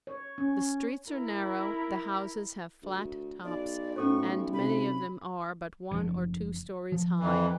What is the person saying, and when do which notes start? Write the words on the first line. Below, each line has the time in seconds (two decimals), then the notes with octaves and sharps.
The streets are narrow, the houses have flat tops and many of them are but one or two stories high.
0.07 C#5
0.38 C#4
1.10 E4 A#4
2.83 D2
3.44 B1 D5
3.96 B1 A2 C#4 A4 C5 C#6
4.53 C3 B5
5.91 F#1 F3
6.92 F3
7.20 F2 E3